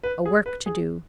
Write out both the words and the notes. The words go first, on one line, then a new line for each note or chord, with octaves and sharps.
A work to do.
B4
G#4
B4
G#4